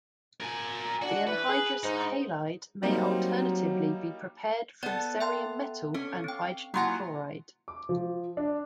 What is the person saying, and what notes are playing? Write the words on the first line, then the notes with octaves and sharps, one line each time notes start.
The anhydrous halide may alternatively be prepared from cerium metal and hydrogen chloride.
A#4 G#5
D4 F#4
E3 B4
G#4
G#2 D#4
F#3 G3 A#3 C4 D#4
B3 A4 D5
E5 G5 C6
C#4 A4
C4 G5
F#3 A#3 E4 F4 F#5 G#5
D6
F3
D4